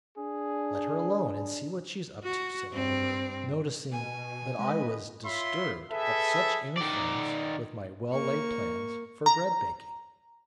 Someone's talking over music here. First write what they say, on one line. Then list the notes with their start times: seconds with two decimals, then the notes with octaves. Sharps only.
"Let her alone, and see what she's up to," said Oliver, noticing that I was disturbed at such interference with my well-laid plans for bread-baking.
0.18 D4 G#4
2.24 F#4
2.72 G2 C4
3.92 B2 G#5
4.59 G#3 B4 D#5
5.25 F4 C#5 E5 B5 C6
5.92 G#4 A4 B4 E5
6.78 D#3 D5
8.11 A#3 C#6
9.26 A#5